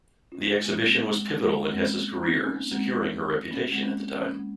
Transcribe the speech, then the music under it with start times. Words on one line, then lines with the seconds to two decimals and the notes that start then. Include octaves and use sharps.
The exhibition was pivotal in Hesse's career, securing her reputation at the time.
0.32 C#4 F4
0.48 G#3
0.65 A#3
0.80 G#3 C4
0.95 A#3
1.07 G#3
1.18 A#3
1.28 A#3
1.44 G#3
1.60 A#3
1.70 G#3 C4
1.80 A#3 C#4
2.23 C4 D#4
2.44 A#3 C#4
2.56 A#3
2.71 G#3 C4
3.51 A#3 C#4
3.72 G#3 C4
3.82 A#3 C#4
4.14 A#3 C#4
4.25 A#3 C#4
4.36 G#3